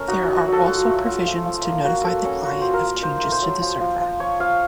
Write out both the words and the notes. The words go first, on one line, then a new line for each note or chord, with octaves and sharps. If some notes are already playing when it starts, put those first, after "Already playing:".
There are also provisions to notify the client of changes to the server.
Already playing: A3 C#4 A#4
D#4 F#4
F#3 F#4
F#4
F#3
A4
F4 F#4
A3
F4
F3
F3
A#3
A#3 F#4
A#3 A4
C#4 A4
F4 F#4
F4 C5
A#4
A#3
D#4 C5
A3
C5
F#3
F3
F3
F3
F3 C#5
F3 F5